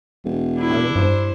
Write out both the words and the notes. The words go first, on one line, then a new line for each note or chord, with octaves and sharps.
"I don't know."
E1
D4 E4
G2 C5